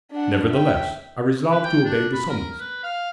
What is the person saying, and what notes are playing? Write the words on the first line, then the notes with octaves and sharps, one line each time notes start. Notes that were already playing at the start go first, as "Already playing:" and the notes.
Nevertheless, I resolved to obey the summons.
D4 F#5
E5 G5
B4
G5
D4
B5
A#4
B4
F5